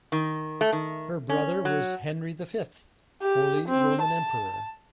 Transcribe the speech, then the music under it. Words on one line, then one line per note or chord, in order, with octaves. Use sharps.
Her brother was Henry the Fifth, Holy Roman Emperor.
D#3
A3
D#3
C#4
F#3
G4
C4
A5